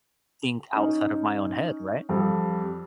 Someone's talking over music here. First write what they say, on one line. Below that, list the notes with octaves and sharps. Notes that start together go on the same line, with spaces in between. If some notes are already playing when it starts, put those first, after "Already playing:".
think outside of my own head," right?
C#4 D#4
F2 G3